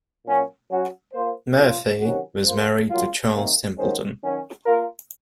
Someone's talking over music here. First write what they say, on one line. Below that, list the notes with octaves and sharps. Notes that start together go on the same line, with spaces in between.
Murphy was married to Charles Templeton.
A#2 F#3 C#4
F#3 C#4 F#4
A#3 F4 C5
F3 A#3 C#4 F4
C3 D#3 F#3 C#4 F#4
A#3 F4 C5
C#3 F#3 A#3 F4
C3 D#3 A#3
D#3 G#3 C#4 F#4 C5
D#3 F#3 C#4
A#3 F4 A#4